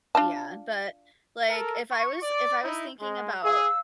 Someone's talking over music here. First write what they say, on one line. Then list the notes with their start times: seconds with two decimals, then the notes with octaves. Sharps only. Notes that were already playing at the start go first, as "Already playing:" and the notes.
yeah, but like, if I was if I was thinking about
0.15 D4 F4 A5
1.49 A4 A#4
1.91 C#6
2.21 D5
2.63 D#4 E4
3.00 G#3
3.43 G#4 F5 E6